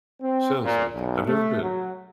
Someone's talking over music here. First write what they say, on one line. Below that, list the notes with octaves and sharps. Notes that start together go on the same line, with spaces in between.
sounds like it, I've never been
C4
A#2
B1
A3
F#3